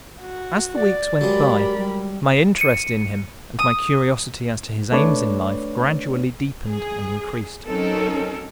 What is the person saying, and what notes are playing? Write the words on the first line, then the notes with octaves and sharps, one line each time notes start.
As the weeks went by, my interest in him and my curiosity as to his aims in life, gradually deepened and increased.
F#4
D5
F#3 G#3 G4 A#4 B5
G3
C#7 D#7
D#6
A3 D4 B4 C#5 D5
G#4
F#3 C4 C#4 D#4 A4 A#4